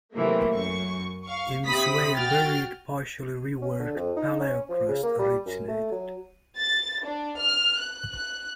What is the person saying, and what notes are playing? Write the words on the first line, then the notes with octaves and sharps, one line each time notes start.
In this way a buried, partially reworked paleokarst originated.
C3 E3 F#3 A3 A#3
F#2 C#6
F5 C#6
C3 B5 D#6 B6
F#4 G5 F6 A6
C#4
D3
F2
D#4
C#4
F3
C#3
A#3
G3
F#2
A3
F#3
A6
D4
F6
F#6
F#6